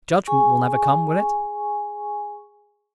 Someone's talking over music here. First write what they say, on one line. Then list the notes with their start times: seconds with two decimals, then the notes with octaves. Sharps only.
Judgment will never come, will it?
0.27 G#4 G#5 C#6